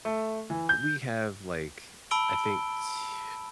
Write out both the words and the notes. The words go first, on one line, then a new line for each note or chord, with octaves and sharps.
we have, like, I think, tw
A3
E3
G6
A5 B5 E6 D7 G7